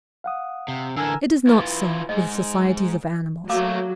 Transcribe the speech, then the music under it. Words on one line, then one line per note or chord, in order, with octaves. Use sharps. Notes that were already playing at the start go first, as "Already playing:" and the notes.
It is not so with societies of animals.
F5 F#5 D#6
C3
D3 E3 D4 A#4 G#5 E6
E4 F4 B4
G#2 G#3 D#5
F#3 A3 A#3 F5 D6 E6